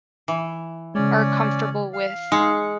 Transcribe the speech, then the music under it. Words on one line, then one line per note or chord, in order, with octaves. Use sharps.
are comfortable with
E3
C#3 G#3 C#4 C#5 D5
F5
G#3 D#4 C#7